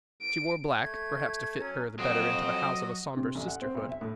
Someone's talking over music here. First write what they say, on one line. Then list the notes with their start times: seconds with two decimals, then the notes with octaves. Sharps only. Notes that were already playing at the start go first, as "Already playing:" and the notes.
She wore black—perhaps to fit her the better into the house of a somber Sisterhood.
0.22 D7
0.81 A3 G#6
1.59 F#3 C#4
1.99 F2 F#3 C4 F#4 D#5
3.17 C3
3.35 A1
3.48 F#5
3.62 C4
3.75 B1
3.89 E5
4.01 A2